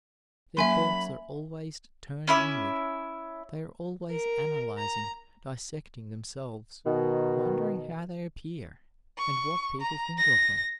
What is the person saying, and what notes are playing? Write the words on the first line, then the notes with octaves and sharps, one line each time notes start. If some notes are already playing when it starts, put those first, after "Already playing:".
Their thoughts are always turned inward; they are always analyzing, dissecting themselves, wondering how they appear and what people think of them.
F#3 A#3 C#4 E5 G#5 B5 C6
C#4 E4 E5 D6
A#4
A#5
B2 D#3
C#6
A#5
A#6